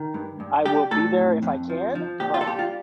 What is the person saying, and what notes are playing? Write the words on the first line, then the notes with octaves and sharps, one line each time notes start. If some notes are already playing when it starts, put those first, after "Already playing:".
I will be there if I can, but"
Already playing: D#3
G2
G2
G3 G4
A2 A4
F2
F2
F3
F3
A#2 G4
F4
A4
G3 G4
F4